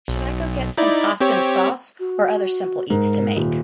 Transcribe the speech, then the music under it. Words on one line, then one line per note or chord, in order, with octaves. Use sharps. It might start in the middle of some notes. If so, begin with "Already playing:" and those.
Should I go get some pasta and sauce, or other simple eats to make?
B1
D#4 E4 D5
C4 G4 C#5
F#4
G#2 A#4
D#1